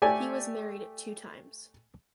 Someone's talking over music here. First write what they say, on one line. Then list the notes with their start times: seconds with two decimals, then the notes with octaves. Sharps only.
He was married two times.
0.02 A3 G4 A4 D5 G#5